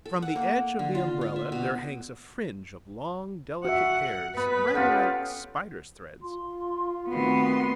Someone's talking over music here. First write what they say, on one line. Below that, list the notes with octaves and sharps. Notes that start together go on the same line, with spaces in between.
From the edge of the "umbrella" there hangs a fringe of long, delicate hairs, rather like spiders' threads.
A4
F#5
A#3
D3
F4
F4
E5
B2
F#4 E5 F#5
B3 B4 B5
C#4 F4 G4 A4 F5 F#5
F4 C6
D#3 A3 B3 C4 F#4 C6